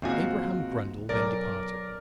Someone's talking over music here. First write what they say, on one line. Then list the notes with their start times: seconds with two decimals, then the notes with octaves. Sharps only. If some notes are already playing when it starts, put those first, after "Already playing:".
Abraham Grundle then departed.
0.02 D#2 G#2 C4 F4 F#4 G#5
1.09 B1 A#4 D5